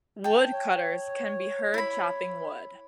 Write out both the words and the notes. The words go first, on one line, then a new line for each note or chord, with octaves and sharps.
Woodcutters can be heard chopping wood.
G5 A5
C#5
E4 B5